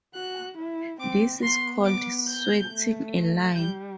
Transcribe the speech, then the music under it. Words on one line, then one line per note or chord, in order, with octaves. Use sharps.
This is called "sweating a line".
F#4 F#6
E4
C4 D6
B3 C6
D6
G6
A3
G3 G6